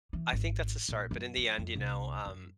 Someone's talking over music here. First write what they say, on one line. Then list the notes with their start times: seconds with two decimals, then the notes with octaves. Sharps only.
I think that's a start, but in the end, you know, um,
0.13 E3
0.33 G#1
0.89 A#1
1.11 F#2
1.37 F3
1.58 F2
1.76 C2
2.26 F#2